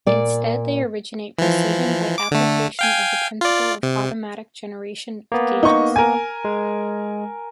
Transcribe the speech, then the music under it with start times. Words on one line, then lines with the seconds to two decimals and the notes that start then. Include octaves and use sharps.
Instead they originate precision by application of the principle of "automatic generation of gages".
0.06 A#2 D5
1.39 E3 F3
2.18 D6
2.31 D3 A3
2.79 F5 G5 G#5
3.41 F4 D5
3.83 C3
5.32 A#3 B3
5.63 D#4 C#6
5.96 A#4 G#5
6.45 G#3